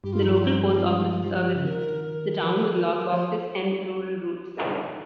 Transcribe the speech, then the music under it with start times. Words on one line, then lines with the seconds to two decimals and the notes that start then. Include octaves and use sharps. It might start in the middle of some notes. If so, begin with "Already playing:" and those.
The local post office services the town with lock boxes and rural routes.
0.04 G2 G4
0.13 F4
0.22 F3 D#4
0.30 F4
0.44 G3 D#4
0.64 G#3 D#4
0.77 F3
0.83 G3 F4
1.23 F3 G4
1.55 C#3
1.64 D#3 A#4
2.04 A#4
2.43 F3
3.08 C#5
3.12 F3 C5